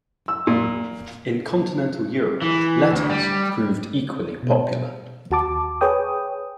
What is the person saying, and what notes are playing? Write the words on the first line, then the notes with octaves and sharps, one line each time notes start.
In continental Europe, "Letters" proved equally popular.
E6
A#2
E3
D2
G3
B2
D#2 F#4 A5 D6
G#4 B4 C#5 G5 D#6